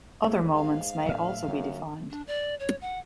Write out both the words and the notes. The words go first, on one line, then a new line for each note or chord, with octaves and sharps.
Other moments may also be defined.
D#2 G#3
G#2 F5
A2 D3 F#3 E5 F6
F#2 D3 G3 A#3
D4
D5
C#5
F#5